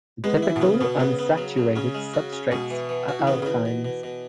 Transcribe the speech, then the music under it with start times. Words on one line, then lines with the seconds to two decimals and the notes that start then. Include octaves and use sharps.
The typical unsaturated substrates are alkynes.
0.24 G#3 B3
0.37 E3
0.42 E4
0.49 E3
0.56 B2
0.61 C#3 B3
0.81 B2 B3
1.00 C#3 B3
1.19 B3
1.38 F#3
1.57 F#3
1.75 C#3 C#4
1.94 G#3
2.14 F#4
2.33 C#4
2.51 B2 G#3
2.71 E3
2.89 E3
3.08 F#4
3.19 E3
3.27 C#3 B3
3.42 C#3
3.46 B2 E3
3.65 B2
3.85 B2
4.03 B2